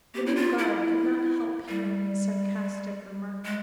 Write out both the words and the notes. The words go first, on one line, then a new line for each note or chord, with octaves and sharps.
The new guard could not help hearing the sarcastic remark.
G4
E4
F4
E4
G3
G#3